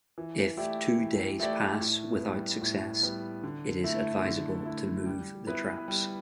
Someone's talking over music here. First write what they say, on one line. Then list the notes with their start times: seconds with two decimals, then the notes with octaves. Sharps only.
If two days pass without success, it is advisable to move the traps.
0.18 E3
0.57 A3 E4 G4 D5
0.99 E3
1.39 A3 E4 G4 D5
1.80 A2
2.20 G3 B3
2.61 A2
3.03 G3 B3
3.43 D3
3.84 A3 E4
4.25 D3
4.65 A3 E4
5.06 G3
5.47 B3 E4 B4
5.88 G3